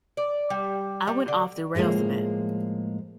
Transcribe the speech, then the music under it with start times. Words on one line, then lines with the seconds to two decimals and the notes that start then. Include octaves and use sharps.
I went off the rails a bit.
0.17 D5
0.50 G3
1.07 G3
1.28 D3
1.75 A2 F3 G3 G#3 A#3